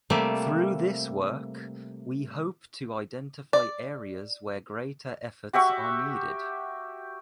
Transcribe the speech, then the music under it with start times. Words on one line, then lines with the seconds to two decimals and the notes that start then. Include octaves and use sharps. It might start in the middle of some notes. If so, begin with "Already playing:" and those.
Through this work, we hope to identify areas where greater efforts are needed.
0.10 C3 G3 A3 A#3
3.53 D5
5.53 F#4 G4 E5 C#6